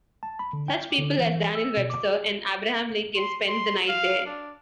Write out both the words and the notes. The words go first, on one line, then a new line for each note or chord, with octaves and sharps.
Such people as Daniel Webster and Abraham Lincoln spent the night there.
A5
B5
D3
G5
D3
E3
E6
B2
D6
G#4
C6
C6
F5
D4